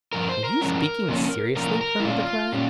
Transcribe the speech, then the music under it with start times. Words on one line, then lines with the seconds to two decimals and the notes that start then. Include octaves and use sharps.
"Are you speaking seriously, Colonel De Craye?"
0.13 G2 F3 A#4
0.29 C5
0.44 A#4
0.61 G2 F3 G#3 C#4
1.09 C3 F3 A#3 C#4
1.57 C3 F3 A#3 C#4 A#4
1.81 A#4
2.00 E4
2.04 A#2 G3 C#4 F4
2.52 A#2 G3 C#4